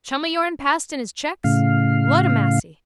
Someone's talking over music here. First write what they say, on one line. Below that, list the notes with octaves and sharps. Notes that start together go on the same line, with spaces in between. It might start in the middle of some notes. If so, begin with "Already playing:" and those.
Chum o' yourn passed in his checks? Ludamassy!
A2 C#3 F5